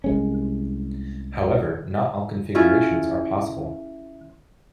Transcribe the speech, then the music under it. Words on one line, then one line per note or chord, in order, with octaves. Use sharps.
However, not all configurations are possible.
C2 G#3 C#4
C#4 E4 F4 G#4